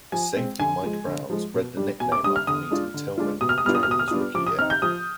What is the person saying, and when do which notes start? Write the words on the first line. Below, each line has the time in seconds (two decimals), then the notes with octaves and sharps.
Safety Mike Brown spread the nickname after meeting Tillman during his rookie year.
0.12 F3 G#5
0.37 G#3 C4
0.60 D3 G#5
0.83 F3 G#3
1.07 D3
1.30 F3 G#3
1.54 B2
1.77 G3 D4
2.00 B2 G#5
2.12 D6
2.24 G3 D4 D#6
2.36 F6
2.47 D3 D#6
2.70 G#3 D4 F4
2.94 D3
3.18 G#3 D4 F4
3.41 B2 D#6
3.49 F6
3.58 D#6
3.65 G3 B3 D4 F4 F6
3.75 D#6
3.83 F6
3.88 B2 D#6
3.99 F6
4.08 D#6
4.11 G3 B3 D4 F4
4.35 F3 D6
4.47 D#6
4.59 C4 D#4 F6
4.70 G6
4.82 F3 D#6